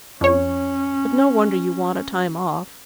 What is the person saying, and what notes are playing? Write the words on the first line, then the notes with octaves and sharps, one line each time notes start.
But no wonder you want a time off.
F2 C#4 C#5